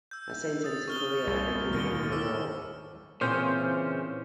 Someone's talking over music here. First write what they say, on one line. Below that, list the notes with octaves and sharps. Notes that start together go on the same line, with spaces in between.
I sent him to Korea and he won the war.
E6 G6
D#6 A6
C#6 F6 G7
C2
D#2 B2 D3 F6 G7
D6 E6 F6
A#2 C#3 E3 C4 C#4 C5 F6 G6